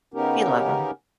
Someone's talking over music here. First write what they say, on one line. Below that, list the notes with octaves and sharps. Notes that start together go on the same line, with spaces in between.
We love 'em.
C#3 B3 C#4 D#4 G4 A#4